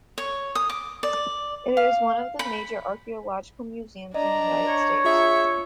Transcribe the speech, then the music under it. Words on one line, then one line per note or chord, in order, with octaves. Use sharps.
It is one of the major archaeological museums in the United States.
C#5
D#6
D6
D5
F5
B5
D4 D5 D#5 A#5
C#5
F4 G#4 E5